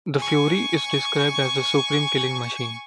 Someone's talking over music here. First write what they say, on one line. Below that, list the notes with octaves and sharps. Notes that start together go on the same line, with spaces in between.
The Fury is described as "the supreme killing machine".
G#5 C#6